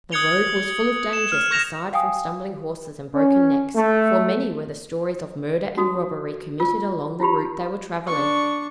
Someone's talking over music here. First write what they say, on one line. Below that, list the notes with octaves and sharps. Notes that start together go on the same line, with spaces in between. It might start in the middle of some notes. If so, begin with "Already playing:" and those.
The road was full of dangers aside from stumbling horses and broken necks, for many were the stories of murder and robbery committed along the route they were traveling.
D#6 F#6 G#6 C#7 F7 G7
E7
F6
C#6 G6 A#6 E7 F7
F5 G5 G#5 D#6
C#4
A3
D#4 F#4 D#6
F4 E6
E4 F4 G4 B5
D4 C#6